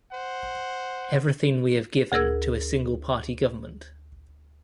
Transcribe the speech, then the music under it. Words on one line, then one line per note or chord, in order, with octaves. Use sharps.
Everything we have given to a single party government.
C5 F#5
D2 G#4 A#4 E6 G#6